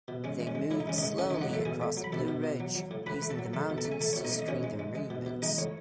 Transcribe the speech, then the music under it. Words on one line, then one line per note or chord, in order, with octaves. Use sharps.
They moved slowly across the Blue Ridge, using the mountains to screen their movements.
B2
G#3 C#4
G#3
C#4
G#3
A2 E4
D#4
G#3 C#4
D#3 D#4
G#3
A2 C#4
D#3 D#4
G#3
F#3 F#4
A2 A3 A4
B2 G#4 G#5
A3
F#3
B5
B2 A4 A5
B2
B2
F#3
F#3
A2
A2 B4 B5
A3
A4 A5
F#3
A3 A4 A5
B2
A4 A5
A3
G#5
A3 A4 A5
B2 C#5
D#4 D#5
A3
D#5
B2 C#4 C#5
G#3
G#3
G#3
B2
B2
G#3 D#4 D#5
A2 C#5